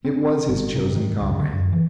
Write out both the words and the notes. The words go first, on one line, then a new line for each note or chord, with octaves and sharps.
It was his chosen comrade.
C4
G1
C3
D#3
C#2
D3
F#2
E3